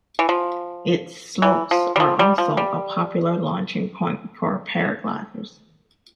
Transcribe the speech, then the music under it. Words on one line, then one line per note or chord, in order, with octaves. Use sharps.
Its slopes are also a popular launching point for paragliders.
E3
F3
E3
F3
G3
F3
G3
F3
G3